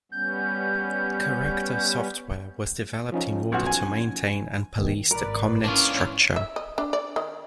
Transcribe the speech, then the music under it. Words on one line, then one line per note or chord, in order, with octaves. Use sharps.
Corrector software was developed in order to maintain and police the ComNet structure.
G3 B3 C#4 G6
F3 C#4 D#4
B1 F#4
G#5
D#2 D#3
G#1 A#4 B4 D5
E3 C#4 D4 F4
E5
D#5
D4
D5
D#3